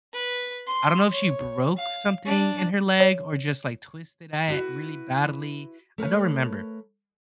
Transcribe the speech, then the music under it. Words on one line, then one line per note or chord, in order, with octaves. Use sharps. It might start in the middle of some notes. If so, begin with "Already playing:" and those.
I don't know if she broke something in her leg or, just, like, twisted it really badly, I don't remember,
B4
C6
C#5
F5
D4
C#5
E4 F#4 B4
A3 A#4 B4 C#5